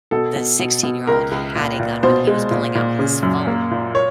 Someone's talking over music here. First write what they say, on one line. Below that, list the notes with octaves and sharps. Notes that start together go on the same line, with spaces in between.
the sixteen-year-old had a gun when he was pulling out his phone.
B2 A4
B2
B2
B2
C#2 A#4
C#2
A#2
A#2
B2 C5
G#3
A#2
A#2
C#3
F#2
A#3
A#2
C#5